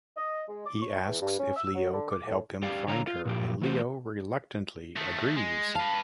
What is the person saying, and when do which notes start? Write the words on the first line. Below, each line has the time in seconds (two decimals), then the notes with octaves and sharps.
He asks if Leo could help him find her and Leo reluctantly agrees.
0.16 D#5
0.48 G#3
0.65 D6
0.82 C#6
1.06 E2
1.20 G2
1.38 C#4
1.55 E6
1.74 F#3
1.92 D3
2.09 D6
2.25 A2
2.63 G4 D5 F5
2.88 D3 C#5 F5 A#5
3.07 F4
3.25 A#2 F3 G4
3.62 E3 A3 F#4 C5
4.97 D#3 A3
5.36 G#3
5.75 B4 F5 A5